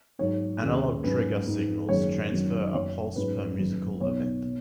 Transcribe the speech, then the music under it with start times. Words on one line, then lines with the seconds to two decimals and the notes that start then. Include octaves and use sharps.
"Analog trigger" signals transfer a pulse per musical event.
0.19 G#2 F#3 D#4 C#5
0.61 D#2 C#3 G#3
1.04 G#2 F#3 C#4 B4
1.46 G#2 G#3 D#4
1.89 F#1 F#2 D#3 G#3 C#5
2.31 F#2 D#3 F#3 C#4
2.74 F#1 F#2 F#3 C#5
3.16 G#2 F#3 C#4 B4
3.59 F#1 F#2 D#3
4.01 B1 B2 B3 D#4 C#5
4.45 B2